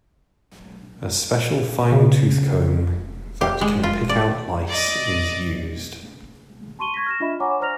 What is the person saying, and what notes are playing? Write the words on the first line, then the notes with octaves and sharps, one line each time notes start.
A special fine tooth comb that can pick out lice is used.
C#3
G4
G#3
F4
D5
D5 D#5
A5 C6 C#6 D#7 G7
C#6 G#6 A#6 B6
F6 A#6 E7
D4 F4 D#5 E5 B5
C#5 F#5 G#5 A#5 C#6 D6
C5 D5 A#5 F6 A#6 F7